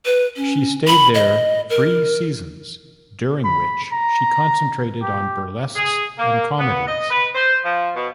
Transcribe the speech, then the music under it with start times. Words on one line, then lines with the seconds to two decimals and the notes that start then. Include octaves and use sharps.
She stayed there three seasons, during which she concentrated on burlesques and comedies.
0.06 B4
0.36 C#4
0.87 B5
1.15 D#5
1.70 A#4
3.44 B5
3.92 A#5
5.02 G4
5.76 G#4
6.17 A#3
6.58 B3
6.86 D#5
7.10 B4
7.35 C5
7.62 F3
7.93 B2